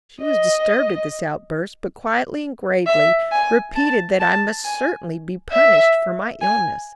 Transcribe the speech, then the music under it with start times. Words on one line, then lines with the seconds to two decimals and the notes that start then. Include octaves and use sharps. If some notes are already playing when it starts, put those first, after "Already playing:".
She was disturbed at this outburst, but quietly and gravely repeated that I must certainly be punished for my illness.
0.21 D#5
2.86 E5
3.32 G#5
3.75 A5
4.20 A5
4.65 G#5
5.52 E5
6.41 G#5